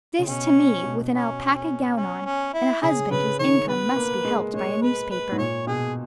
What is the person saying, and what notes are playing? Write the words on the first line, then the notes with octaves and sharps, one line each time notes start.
This to me, with an alpaca gown on, and a husband whose income must be helped by a newspaper!
C#3
B2 C#4
B2
C#4
C#4
C#4
C#4
E4
C#3 G#4
C#3 B4
D#3 C#5
B3 B4
A#3
G#3
G#3 C#5
B4
B4
G#2
A#2 C#5
B2 G#4